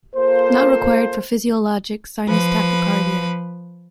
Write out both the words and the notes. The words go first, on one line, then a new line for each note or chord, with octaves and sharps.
Not required for physiologic sinus tachycardia.
A#3 F4 A4 C5
F3 B4